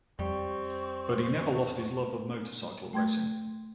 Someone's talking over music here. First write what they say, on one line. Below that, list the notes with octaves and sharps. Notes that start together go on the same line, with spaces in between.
But he never lost his love of motorcycle racing.
F2 G3 C4 C#6
A3 G5 C6 G#6